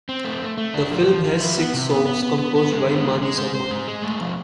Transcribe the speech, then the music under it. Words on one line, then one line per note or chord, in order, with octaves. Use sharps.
The film has six songs composed by Mani Sharma.
C4
A3
A3
A3
D4
F3
F3
F3
E4
B3
C3
B3
B3
B3
B3
B3
G#3
B3
G#3
G#3
C5
C5
G#3
G#4
A3
F3